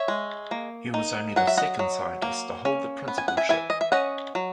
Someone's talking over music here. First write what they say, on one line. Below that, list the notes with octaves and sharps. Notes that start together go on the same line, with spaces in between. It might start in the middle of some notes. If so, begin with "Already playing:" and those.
He was only the second scientist to hold the Principalship.
Already playing: C#5 E5
G#3
A#3
D#4
F#3 F#5
E5
D#5 F#5
F#3
A#3
C#4
B3
G#5
F#5
E5 G#5
E3 E5 G#5
D#5
E5
C#4 D#5 F#5
F#3